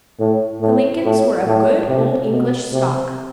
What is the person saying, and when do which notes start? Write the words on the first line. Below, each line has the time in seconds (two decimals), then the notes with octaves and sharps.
The Lincolns were of good old English stock.
0.19 A2
0.61 A2
1.04 A2
1.46 A2
1.88 C3
2.31 B2
2.73 C3